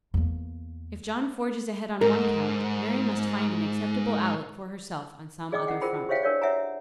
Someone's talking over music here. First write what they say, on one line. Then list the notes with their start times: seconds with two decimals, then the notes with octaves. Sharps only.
If John forges ahead on one count, Mary must find an acceptable outlet for herself on some other front.
0.14 E2 A#3
2.01 G#2 A#4
5.52 G#4 D5 D#5 G5 D6 D#6
5.67 C#4 E4 F#5 G5
5.82 F4 G#4 A#4 C5 G5 B5
6.09 G4 C5 C#5 E5 F5 G5
6.22 D4 A#4 C#5 D5 F5
6.42 C#5 E5 F#5 G#5 A#5